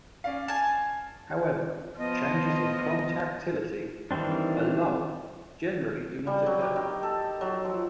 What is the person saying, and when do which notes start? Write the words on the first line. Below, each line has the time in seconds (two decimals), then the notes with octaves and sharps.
However, changes in contractility alone generally do not occur.
0.24 C#4 D5 F5
0.48 G#5 A5
1.98 F3 B3 D#5
4.11 D#3 E3 G3 C4 D4
6.27 G3
6.46 F#3
6.61 G4
6.76 D#3
7.03 A4
7.41 F#3
7.65 F3